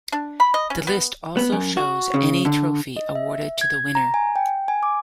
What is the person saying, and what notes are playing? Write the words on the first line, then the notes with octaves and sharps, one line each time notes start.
The list also shows any trophy awarded to the winner.
D4
B5
D#5
C#4
B3
B3
F#2
F#4
C#3
D3
D#5
E5
G#6
A#5
G#5
G5
G#5
D6